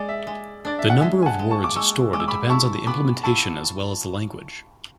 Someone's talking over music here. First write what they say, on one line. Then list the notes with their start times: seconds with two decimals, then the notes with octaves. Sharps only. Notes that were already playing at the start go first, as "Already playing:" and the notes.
The number of words stored depends on the implementation as well as the language.
Already playing: G#3 D5
0.09 E5
0.27 G#3
0.65 D4 D5
0.79 E5
0.90 F#5
1.01 G#3 E5 G#5
1.23 G#5
1.26 F#5 A5
1.39 G#3
1.51 A5 C#6
1.64 D6
1.76 G#3 C#6 E6
2.13 G#3 D6
2.20 E6
2.28 B5 D6
2.50 E4 A5 C#6
2.87 B3 B5 D6
3.23 E4 A5 C#6